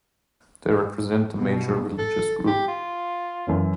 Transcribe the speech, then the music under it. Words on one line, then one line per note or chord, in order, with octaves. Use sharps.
They represent the major religious group.
B2
A4
G4
F4
F#2 E3 C#4